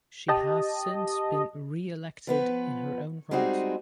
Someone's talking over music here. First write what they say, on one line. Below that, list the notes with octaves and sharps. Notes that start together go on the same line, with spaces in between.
She has since been re-elected in her own right.
G4 D#5 A5
F3 B3 B4
G3 G#3 C4 D#4 F#4 G#4